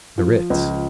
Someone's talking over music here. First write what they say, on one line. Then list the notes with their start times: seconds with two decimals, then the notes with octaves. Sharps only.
The Ritz.
0.18 F3
0.50 C#2